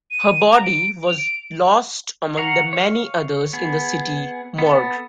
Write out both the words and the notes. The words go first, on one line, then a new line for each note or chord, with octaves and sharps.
Her body was lost among the many others in the city morgue.
D#7
A#5
D7
F7
D7
F5 F#5 A#5 C#6
C#5 F5
B3 G#4
B3 A4